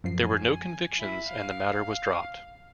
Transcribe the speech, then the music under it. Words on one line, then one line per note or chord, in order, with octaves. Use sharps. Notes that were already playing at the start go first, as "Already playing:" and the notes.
There were no convictions and the matter was dropped.
F#2 F3 C7
G#5
E4
F5